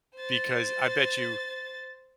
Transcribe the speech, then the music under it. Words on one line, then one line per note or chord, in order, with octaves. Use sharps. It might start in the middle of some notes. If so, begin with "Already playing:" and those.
Because, I bet you,
C5 A6